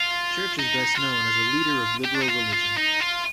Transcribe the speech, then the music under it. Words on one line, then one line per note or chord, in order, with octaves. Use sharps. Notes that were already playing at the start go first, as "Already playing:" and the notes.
Church is best known as a leader of liberal religion.
Already playing: F4
D#4
F4
G4
D4
D#4
F4
F4
D#4
F4